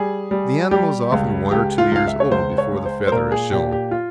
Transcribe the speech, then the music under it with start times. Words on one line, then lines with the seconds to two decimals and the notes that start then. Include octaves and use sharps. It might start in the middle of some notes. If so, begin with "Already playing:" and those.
The animal is often one or two years old before the feather is shown.
Already playing: G3 G#4
0.31 G3
0.71 G3 G4
1.12 C#2
1.51 C#2 G4
1.78 F4
1.92 C#2 F5
2.08 E5
2.20 C#5
2.31 C#2 C5
2.58 C#5
2.72 G#3
2.86 C5
3.07 C5
3.12 A#2 A#4
3.32 G#4
3.51 A#2 G4
3.72 G4
3.91 F4